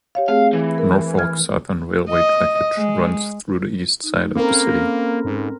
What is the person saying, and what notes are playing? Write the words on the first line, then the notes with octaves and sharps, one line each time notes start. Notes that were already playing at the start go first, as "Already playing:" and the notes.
Norfolk Southern Railway trackage runs through the east side of the city.
G4 C#5 F5
A3 C4 G#4 F5
E3
A#4
F6 G#6
D#5
G#3
D#4
A#3 C4 C#4 A4 A#4 B5
G#2